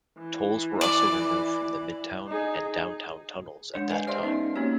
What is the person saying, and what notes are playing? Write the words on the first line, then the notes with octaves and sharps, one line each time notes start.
Tolls were also removed from the Midtown and Downtown tunnels at that time.
E3
D5 D6
D#4 G#4
G#3 D4 C#5
A#4 B4 D5 D#5 F5 G#5
G4 C5 D5 E5 F5 C6
B3 C#4 D#4
A#3 C4 C#4 F#4 G4 C#5